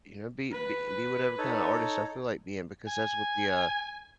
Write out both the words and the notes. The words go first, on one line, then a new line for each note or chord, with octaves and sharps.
you know, be be be whatever kinda artist I feel like being because that's what the, uh
B4
D#4 A4 C#5
G#5